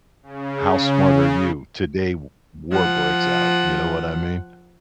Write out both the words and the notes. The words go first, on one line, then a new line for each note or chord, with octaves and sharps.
how smart are you? Today, w war breaks out, you know what I mean?
C#3
F3 F#5